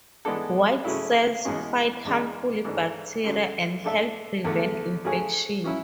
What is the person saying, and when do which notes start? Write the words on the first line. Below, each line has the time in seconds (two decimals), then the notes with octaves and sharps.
White cells fight harmful bacteria and help prevent infection.
0.25 E3 G#3 B3 D4 A4
0.85 C#3 F#3 A3 E4
1.45 E2 B2 G#3 C#4
2.05 E2 C#3 G#3 D4
2.64 G#2 E3 A3 D4
3.24 F#2 D3 F#3
3.84 A3 D4 A4 E5
4.44 E2 D3 A3
5.05 C#3 F#3 A3 C#4 G#4
5.64 F#3 C#4 E4